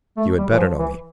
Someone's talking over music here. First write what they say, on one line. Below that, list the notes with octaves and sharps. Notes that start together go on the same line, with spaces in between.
You had better know me.
A3
G3
E3
F3
E3